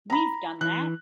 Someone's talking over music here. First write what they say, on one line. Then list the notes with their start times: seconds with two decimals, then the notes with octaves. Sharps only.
We've done that.
0.10 A#5 B5
0.61 E3 F#6